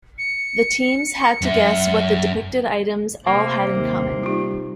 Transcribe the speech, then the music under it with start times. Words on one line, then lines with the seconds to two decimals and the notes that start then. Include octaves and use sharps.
The teams had to guess what the depicted items all had in common.
0.18 C#7
1.41 F#2 E5
3.27 C3 A#3
3.75 D#2
4.23 G3 D#4 F4